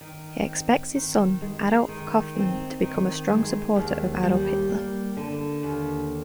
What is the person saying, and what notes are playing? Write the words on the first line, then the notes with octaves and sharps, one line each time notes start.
He expects his son, Adolf Kaufmann, to become a strong supporter of Adolf Hitler.
D#3
C4
D#3
G#3
D#3
C4
D#3
G#3
D#2
G3
A#3
D3
D#2